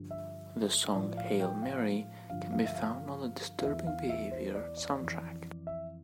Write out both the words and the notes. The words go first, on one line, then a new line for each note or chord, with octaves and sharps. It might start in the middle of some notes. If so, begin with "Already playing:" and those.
The song "Hail Mary" can be found on the "Disturbing Behavior" soundtrack.
Already playing: G2 D3 F3
E5
A2 F3 D5
F5
G5
F5
G2 D3 F3 F5
F5
E5
F5
F5
E2 E3 E5
F5
E5
C5
D5
D5
F2 E3
E5